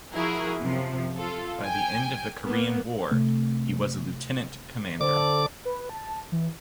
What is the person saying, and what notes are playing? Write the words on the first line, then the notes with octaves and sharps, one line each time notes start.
By the end of the Korean War, he was a lieutenant commander.
F3 E4 F#4 G#4 A#4
F#2 C3 F3
F4 A4
G5 G#5
A#3 B3
C3 A3
D3 A4 C5 D5 D6
B4
A5
E3